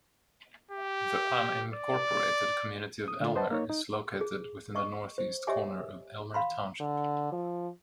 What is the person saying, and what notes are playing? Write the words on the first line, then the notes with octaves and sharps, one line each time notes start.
The unincorporated community of Elmer is located within the northeast corner of Elmer Township.
G4
D5
D#6
D3 A3 F4
B4 C5 D#5 F#5 A5
A#3 D#4 C#5
D#4
G#4
D#5 C#6 D6
C5
G4 C#5 D#5 E5 G#5 D6
F5 B5 C6
D3
F3